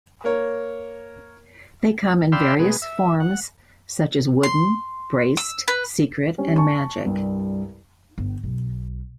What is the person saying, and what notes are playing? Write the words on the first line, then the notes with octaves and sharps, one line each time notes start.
They come in various forms, such as Wooden, Braced, Secret, and Magic.
A#3 A#4 C#5
D5 F5 G5 B5 C6 E6
B2 G#3
E5
F#5
C6
E6
B4
G3 C#4 D4
G#5 A5 C#6
C2 G2
G1
B1